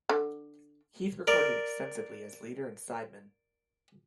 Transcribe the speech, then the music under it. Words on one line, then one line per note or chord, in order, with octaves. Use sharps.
Heath recorded extensively as leader and sideman.
D3
A#4 D5